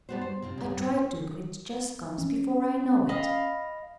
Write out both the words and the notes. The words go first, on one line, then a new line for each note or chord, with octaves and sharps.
I try to, but it just comes before I know it.
G3 A3 B3 F#4 C5
C5
C3 C4 F4
C#3 G3
A2
F4
C#4
D#5 F5 B5